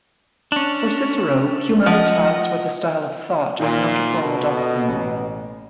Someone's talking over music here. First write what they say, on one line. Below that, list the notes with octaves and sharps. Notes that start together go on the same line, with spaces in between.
For Cicero, "humanitas" was a style of thought, not a formal doctrine.
C#4 D4
F3 D#5 F#5
A#2 D#3
B2
A4 D#5
A1